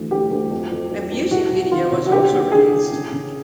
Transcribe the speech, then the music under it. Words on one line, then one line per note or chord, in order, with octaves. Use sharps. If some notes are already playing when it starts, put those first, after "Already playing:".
A music video was also released.
Already playing: D2 E3
D2 G4
D2
F2
F2
F2
F2
C2 F#4
C2
D#3 F4
C3
F#4
D3 G4
D#2
D3 G#4
D3
C#3
C#3